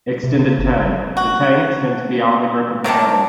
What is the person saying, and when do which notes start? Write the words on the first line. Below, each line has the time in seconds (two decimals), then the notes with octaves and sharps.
Extended Tang: the tang extends beyond the grip of the handle.
0.24 C3
0.39 C#3
0.59 G1
1.17 F#4
2.84 C3 D#3 A#3 A5